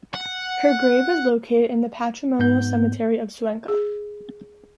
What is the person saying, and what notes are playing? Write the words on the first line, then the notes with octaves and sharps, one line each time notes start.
Her grave is located in the Patrimonial Cemetery of Cuenca.
F#5
G#2 B3 G6
G#4